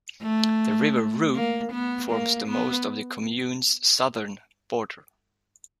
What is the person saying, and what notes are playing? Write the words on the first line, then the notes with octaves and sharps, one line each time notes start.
The river Rhue forms most of the commune's southern border.
A3
A#3
B3
A#3
B3